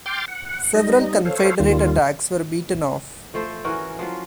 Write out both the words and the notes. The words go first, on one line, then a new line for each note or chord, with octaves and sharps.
Several Confederate attacks were beaten off.
G5 C6 D6 F6 G6 A6
F#5
G3 D#4 D#5
A4 C5 C#5 F5
D#2 D#3 G3 F4
F3 A3 A4 C5
E3 C#4 F#4 A#4
F3 F#3 F4